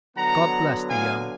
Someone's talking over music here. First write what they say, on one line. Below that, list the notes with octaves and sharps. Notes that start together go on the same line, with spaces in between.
God bless the young!
D3 F#3 B3 F#5 A#5
F5 G#5